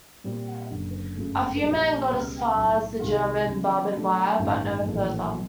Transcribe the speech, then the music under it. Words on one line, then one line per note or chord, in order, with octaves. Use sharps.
A few men got as far as the German barbed wire but no further.
A#2 G3 C4
F#1 F#2 D3
G1 F#2 C#3 F#3 A3
A#1 A#2 G3 C4
C#2 B2 G3 B3
B1 A2 F#3
C2 C3 D#3
E2 C#3 F#3
B2 F#3 A3 D4
A1 G2 D#3
A#1 A2 E3 A3
B2 F#3